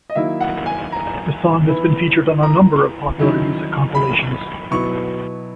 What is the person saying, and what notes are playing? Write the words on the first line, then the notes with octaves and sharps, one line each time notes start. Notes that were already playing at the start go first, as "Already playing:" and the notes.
The song has been featured on a number of popular music compilations.
D#5
D#3 F#3 A#3 E4 E5
F#5
G#5
A#5
E3 B3 E4
A#5
D#3 F#3 C#4 E4
B5
B2 F#3 B3 E4 C#6